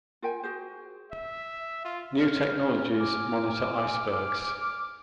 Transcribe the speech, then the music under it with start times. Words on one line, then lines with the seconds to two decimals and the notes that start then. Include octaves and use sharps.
New technologies monitor icebergs.
0.22 F4 A#4 G5 G#5
0.43 F#4 G#4 C5
1.11 E5
1.85 F4
2.20 C#5 F6
3.00 G#5 D6